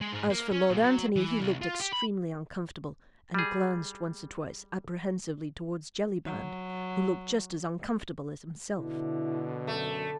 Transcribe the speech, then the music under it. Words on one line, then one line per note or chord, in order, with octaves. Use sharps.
As for Lord Antony, he looked extremely uncomfortable, and glanced once or twice apprehensively towards Jellyband, who looked just as uncomfortable as himself.
G#3
G#2
A#3
C#4
A#2
F#3
E3
C2
F4
G4
B5
G3 G#4
F#3
B2 D3 E4
F#2 A3